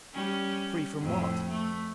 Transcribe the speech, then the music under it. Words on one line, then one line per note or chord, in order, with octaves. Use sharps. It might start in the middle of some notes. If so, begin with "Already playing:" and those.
Free from what?
G3 C#4
F2 A2
A3